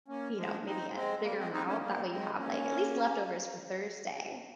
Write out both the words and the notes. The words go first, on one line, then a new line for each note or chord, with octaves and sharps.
you know, maybe a bigger amount, that way you have, like at least leftovers for Thursday.
A#3 C#4
F3 G#3
C4 D#4
G#3 C4
G3 A#3
G#3 C4
C4 D#4
A#3 C#4
G3 A#3
G#3 C4
A#3 C#4